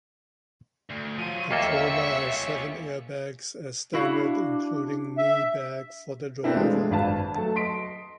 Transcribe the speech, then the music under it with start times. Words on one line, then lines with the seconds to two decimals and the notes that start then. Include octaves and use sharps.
The Croma has seven airbags as standard including knee bag for the driver.
0.90 D2
1.19 F3 F#3 F4 D#7
1.51 D#2 A#3 C#4 F4 A4 E5 C#7
3.93 D4 E4 F#4 F5
5.18 E5
6.43 A3 B3 C4 D4 E4 A#4
6.56 E3 G#3 A3 D4 F4
6.91 G#1 D4 B4 F5 A5
7.35 F#3 A3 A5
7.55 D#5 C6 B6 D7